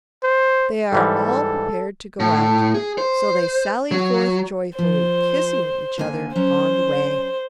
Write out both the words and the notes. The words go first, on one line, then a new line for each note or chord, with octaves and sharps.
They are all prepared to go out; so they sally forth joyfully, kissing each other on the way.
C5
G#2 E3 G3 A4
A2
G#4
C5
F#3
F3 C5
D3 A#3 G#5
F#3 C#4 C5 C#5